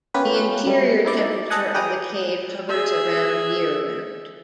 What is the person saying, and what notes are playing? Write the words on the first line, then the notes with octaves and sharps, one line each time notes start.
The interior temperature of the cave hovers around year round.
B3 C#4 F4 G4 A#4 B4
F#3 G3 A3
D#4 E4 D5
A4 D#5 F#5 G#5
G4 G#4 B4 G5 A#5 D#6
G#4 E5